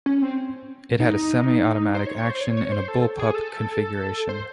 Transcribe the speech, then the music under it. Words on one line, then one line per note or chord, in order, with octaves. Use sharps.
It had a semi-automatic action in a bullpup configuration.
C#4
C4
D#4
C5
C#5
C#5
C5
C#5
C#5
C5
A4
G#4
A4
C5